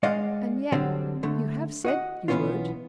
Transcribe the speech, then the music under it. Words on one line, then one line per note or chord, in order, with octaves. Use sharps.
"And yet you have said you would?"
G#3 D5 D#5 F5 F#5
D3 F#3 G3 C4 D4
D3 A3
F#4 D#5 F#5
B1 E3 A3 B3 C#4 F4